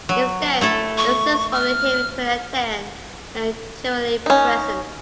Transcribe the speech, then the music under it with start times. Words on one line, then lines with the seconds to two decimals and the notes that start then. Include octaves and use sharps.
Instead, excerpts from the Hymn to the Aten are generally present.
0.09 F#3
0.61 A3 E4 A4
0.98 C#6
1.53 F6
4.26 C#4 D#4